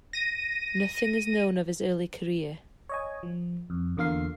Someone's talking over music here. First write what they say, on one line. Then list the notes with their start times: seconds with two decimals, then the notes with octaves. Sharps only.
Nothing is known of his early career.
0.13 A#6 D#7
2.89 C#5 D#5 G#5
3.23 F3
3.70 F2
3.97 E2 D3 A#3 F4 F5 C7